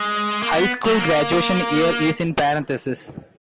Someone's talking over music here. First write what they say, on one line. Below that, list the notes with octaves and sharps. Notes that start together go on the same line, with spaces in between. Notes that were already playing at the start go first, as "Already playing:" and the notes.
High school graduation year is in parentheses.
Already playing: G#3
A#3
B3
F#3
A#3